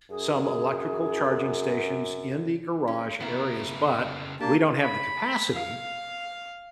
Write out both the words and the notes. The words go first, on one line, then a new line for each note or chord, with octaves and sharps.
some electrical charging stations in the garage areas, but we don't have the capacity
F#2 G#4
C#4
C#3 B3 E4 A#4
A#3 D4 G4 A5
B5
F5